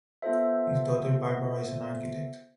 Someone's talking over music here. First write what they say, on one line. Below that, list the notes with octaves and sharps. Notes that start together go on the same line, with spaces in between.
His daughter Barbara is an architect.
B3 F4 A4 C5 E5